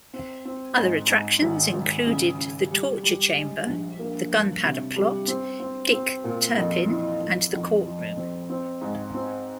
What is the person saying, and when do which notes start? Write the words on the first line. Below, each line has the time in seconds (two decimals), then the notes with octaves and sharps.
Other attractions included the Torture Chamber, The Gunpowder Plot, Dick Turpin, and the Courtroom.
0.13 C4
0.45 C4
0.77 G#2
1.10 G#2
1.42 G#1
1.74 G#1
2.07 C#3
2.39 C#3
2.71 G3
3.03 G3
3.35 G#3
3.66 A#1
3.99 A#3
4.31 G2
4.64 C3
4.96 G3
5.28 C4
5.60 C4
5.92 C4
6.24 A#2
6.57 F2
6.88 E3
7.21 F2
7.53 F2
7.85 F3
8.17 C4
8.50 C4
8.81 G#2
9.14 C4